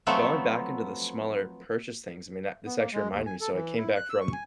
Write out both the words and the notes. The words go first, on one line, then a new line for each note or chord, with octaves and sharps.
going back into the smaller purchase things, I mean that this actually reminded me, so I came back from,
F3 F#3 A3 B3 C4 A4
B3
A#3
G#3
D#2
G#5
A4
E3
E4
F#6
E6
C#6
G#5